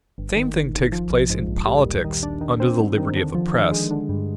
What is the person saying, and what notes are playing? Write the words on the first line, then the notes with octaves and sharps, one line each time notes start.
The same thing takes place in politics under the liberty of the press.
G1
D#3
G1
G1
F3
A#1
G#2
A#1
G3
D#2
D#3
D4
D#3
C4
G3
D#3
D3
F3
D3
G#3
D3
G2